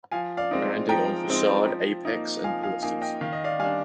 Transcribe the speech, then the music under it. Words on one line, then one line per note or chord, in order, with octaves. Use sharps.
Banding on facade apex and pilasters.
F3 F5 G#5
D5 F5
G#3 C4 D#4
F3 G5 A#5
G#3 C4 D#4
F3
A#3 D#4
F3 F5 G#5
F5 G#5
A#3 D#4 F5 G#5
D#5 G5
D#3 F5
D#5
D5 F5
G3 D4 F5 G#5